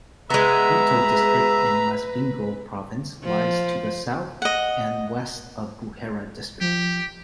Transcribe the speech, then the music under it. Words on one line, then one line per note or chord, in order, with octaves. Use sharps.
Gutu District in Masvingo Province lies to the south and west of Buhera District.
G#3 B3 B4 E5 A#5
F3
D#5 F#5
F3 G4